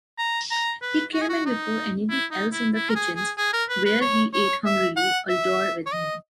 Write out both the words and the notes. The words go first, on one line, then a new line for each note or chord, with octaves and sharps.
He came in before anything else in the kitchens, where he ate hungrily, Uldor with him.
A#5
A#5
B4
F#4
G#4
F#4
D#4
E4
D#4
E4
E4
A#4
G#4
G#4
G#4
A#4
B4
B4
C#5
C#5
E5
F#5
E5
C#5
D#5